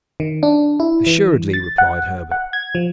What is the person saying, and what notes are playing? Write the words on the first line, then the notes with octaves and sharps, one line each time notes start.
"Assuredly," replied Herbert.
D#3
D4
E4
E3
A6
F#5
F#5
G#6
F3